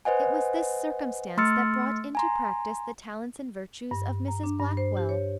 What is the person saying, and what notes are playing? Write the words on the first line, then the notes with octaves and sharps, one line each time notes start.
It was this circumstance that brought into practice the talents and virtues of Mrs Blackwell.
B4 C5 D#5 F#5 G#5
A3 C6 E6 F6 A6 C#7
G#5 A#5 C6
G2
A#5
D4
G2
C5
G4
C#5